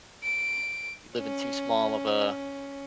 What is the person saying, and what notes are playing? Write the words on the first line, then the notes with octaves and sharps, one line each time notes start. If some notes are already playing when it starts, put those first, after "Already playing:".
you live in too small of a
D7
C#4